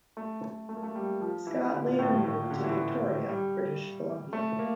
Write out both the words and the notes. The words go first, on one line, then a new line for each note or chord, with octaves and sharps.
Scott later moved to Victoria, British Columbia.
A3
A3
A3
A#3
A3
G3
F3
E3
D3
A#2
A2
G2
A2
A#2
D3
E3
G3
A3
A#3